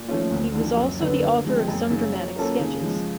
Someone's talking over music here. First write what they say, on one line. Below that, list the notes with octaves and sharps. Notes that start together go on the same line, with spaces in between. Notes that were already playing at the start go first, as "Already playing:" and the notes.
He was also the author of some dramatic sketches.
Already playing: A#2
F3 A3 C#4 F4
D2
D3 F3
F#2
D3 F#3 B3
D3
F3 G#3 C4
F#2
C#3 F#3
F#3
A#3 C#4 F4 A4
C#3
F3 G#3